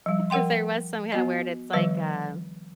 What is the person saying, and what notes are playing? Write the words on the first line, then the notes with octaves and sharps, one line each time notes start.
'cause there was some kinda word, it's like, uh
F3 G3
F3 A#4 F#5 G5 C6
B3 F#4 D#5
D#3 F3 G3 B4